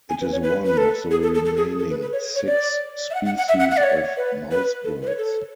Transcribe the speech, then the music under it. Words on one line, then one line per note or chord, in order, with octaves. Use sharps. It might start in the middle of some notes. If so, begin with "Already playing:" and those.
It is one of the remaining six species of Mousebirds.
G#5
B4
C#5
B4
B4
A4
G#4
A4
A4
A4
G#4
A4
B4
B4
C#5
C#5
D5
E5
F#5
F#5
F#5
E5
F#5
F#5
D5
C#5
B4
B4
A4
B4
C#5
A4